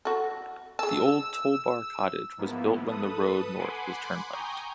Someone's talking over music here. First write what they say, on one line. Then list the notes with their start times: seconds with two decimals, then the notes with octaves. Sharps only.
The old Toll Bar Cottage was built when the road north was turnpiked.
0.05 F#4 A4
0.79 G#4 A5 E6
2.37 G#2 F3 A#3 B3 E4
2.86 A4 B4 D#6
3.58 F#5 G#5 B5 C6 D6
4.31 G5 G#5 A#5 C#6 D#6 G6